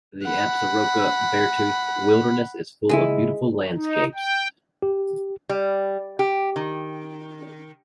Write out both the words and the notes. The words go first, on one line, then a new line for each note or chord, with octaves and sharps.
The Absaroka-Beartooth Wilderness is full of beautiful landscapes.
F#5 B5
C#2 G#3 E4 G#5
D#4
G5
G4
G3
G4
D#3